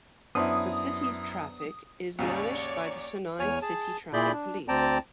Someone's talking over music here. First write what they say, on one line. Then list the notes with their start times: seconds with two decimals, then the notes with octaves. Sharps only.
The city's traffic is managed by the Chennai City Traffic Police.
0.35 F#2 B3 D4 E4 C5 D#6
2.19 D#2 G#2 C#3 C#5 D5
3.39 E2 C#5 G#5 F6
3.62 G#4 A5
4.13 A#2 E4 G#4 D5 B5 G6
4.32 D4
4.68 D2 C4 D5 G5 A5 A#5